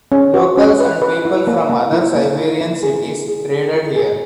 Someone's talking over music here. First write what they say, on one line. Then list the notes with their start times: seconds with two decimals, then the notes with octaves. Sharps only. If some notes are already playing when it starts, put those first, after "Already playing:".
Locals and people from other Siberian cities traded here.
0.12 C#4
0.34 F#4
0.57 C#4
0.80 B4
1.02 B4
1.25 E4
1.47 A#3
1.70 A#3
1.93 E4
2.15 A#3
2.38 E4
2.61 E4
2.83 G#4
3.06 A#3
3.28 G#4
3.51 G#4
3.74 E4
3.96 G#4